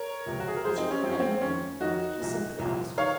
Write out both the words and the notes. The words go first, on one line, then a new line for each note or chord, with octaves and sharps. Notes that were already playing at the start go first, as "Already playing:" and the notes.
"What is your name?" she simply asked.
Already playing: A#4 C#5
C#2 C3 F3
F#4
G#4
A#4
F#2 F3 G#4 C5
C4 D#4
C#4
F#2 F3 C4
C#4
C4
C4
F2 D#3 C#4
F2 D#3 D#4 F#4
C2 A#2 F3
C2 A#2 F3
D#3 C#5 F5